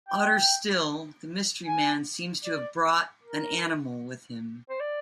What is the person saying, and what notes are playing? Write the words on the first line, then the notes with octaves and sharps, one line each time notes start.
Odder still, the mystery man seems to have brought an animal with him.
G5
G#5
D5
A#4
C5
D5